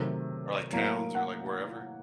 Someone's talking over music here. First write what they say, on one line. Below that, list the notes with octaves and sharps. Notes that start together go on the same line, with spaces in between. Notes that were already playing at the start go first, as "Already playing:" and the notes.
or, like, towns or, like, wherever,
Already playing: C3 D#3 F#3 A3
A2 F#3 A#3
F#5